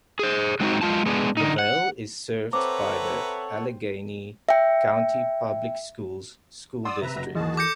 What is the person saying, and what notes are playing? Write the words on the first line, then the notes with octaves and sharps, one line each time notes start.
LaVale is served by the Allegany County Public Schools school district.
G#4 C5
F#3 G#3 C4 C#4 D#4 F#4
G#3 F4 A5
G#3 B3 D4
D3 D#4
F#5
C4 A4 B4 C#5 E5 F#5 A#5 D6
E5 G5
D5 F#5 C6 D#6 E6
C3 B4 E5 A#5
F#1 F#3 A#6
D#2 E3 F#3 F#4 G#4 D#5 A5
A4 D6 G6 A#6 C#7